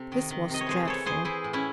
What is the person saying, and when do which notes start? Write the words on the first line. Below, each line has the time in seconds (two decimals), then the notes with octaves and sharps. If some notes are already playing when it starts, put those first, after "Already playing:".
This was dreadful.
Already playing: C3 A4
0.12 D#3
0.31 D#3
0.50 C3 D#5
0.61 C#5
0.66 E3 G#4 C5
0.85 E3 A4 C#5
1.06 E3 G#4 C5
1.25 E3 E4 G#4
1.44 A2
1.53 C#4 E4